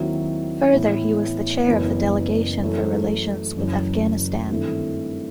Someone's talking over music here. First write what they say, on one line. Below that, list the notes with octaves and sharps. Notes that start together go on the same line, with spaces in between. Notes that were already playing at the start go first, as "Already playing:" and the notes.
Further he was the chair of the Delegation for relations with Afghanistan.
Already playing: D#2 D#3 F#3 C4 E4
A2 E3 B3 E4
F#1 F#2 E3 B3
F#2 E3 A3
F#1 F#2 E3
G2 D#3 A3 C4 E4